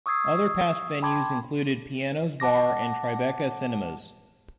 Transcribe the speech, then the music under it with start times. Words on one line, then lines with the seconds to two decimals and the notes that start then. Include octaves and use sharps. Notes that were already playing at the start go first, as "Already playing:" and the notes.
Other past venues included Pianos Bar and Tribeca Cinemas.
0.06 C#6 D#6 E6 G#6 C7
1.02 G5 A5 B5 C6 D6 G#6
2.40 F#5 A5 D6 A#6